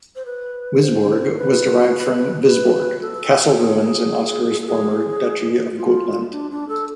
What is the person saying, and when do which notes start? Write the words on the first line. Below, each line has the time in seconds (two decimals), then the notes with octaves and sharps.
"Wisborg" was derived from Visborg, castle ruins in Oscar's former Duchy of Gotland.
0.16 C5
0.26 B4
0.81 C5
1.37 B4
2.46 B4
3.01 A4
3.57 G#4
4.62 A4
4.67 G#4
5.77 F4
6.32 D4
6.51 D4
6.69 A4